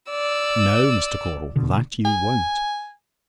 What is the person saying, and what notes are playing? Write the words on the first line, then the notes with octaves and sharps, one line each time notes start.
No, Mr. Caudle, that you won't.
D5 E6
B2 D3
G#5